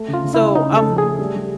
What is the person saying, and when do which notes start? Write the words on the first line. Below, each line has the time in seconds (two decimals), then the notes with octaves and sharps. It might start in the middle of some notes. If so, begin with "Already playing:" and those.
so, um,
Already playing: A3
0.08 C#3
0.14 F4
0.24 C#3
0.34 E4
0.41 C#3
0.55 C#3 D#4
0.72 C#3 A4
0.88 F3
0.98 G#4
1.03 A3
1.19 G3
1.36 G3